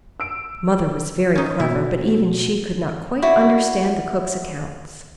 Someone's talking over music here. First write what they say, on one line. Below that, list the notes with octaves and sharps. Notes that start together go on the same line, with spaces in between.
Mother was very clever, but even she could not quite understand the cook's accounts.
E6 D7
C#4 D#4
B2 E4
E4 F#4 D5